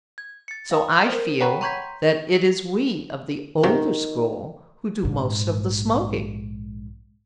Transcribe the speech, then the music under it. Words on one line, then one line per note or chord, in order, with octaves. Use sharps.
So I feel that it is we of the older school who do most of the smoking.
G#6
A6 C#7
F5 D#6
A#4 C5
C#5 F#5 G5 A#5 B5 C#6
A#5 C6 C#6 G6 G#6 B6
C3 D#3
A#1 G#2